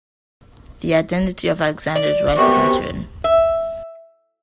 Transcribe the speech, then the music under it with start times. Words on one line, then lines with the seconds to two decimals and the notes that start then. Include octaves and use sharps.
The identity of Alexander's wife is uncertain.
1.95 D5
2.37 F#2 C3 B3 G4 C#6
3.24 E5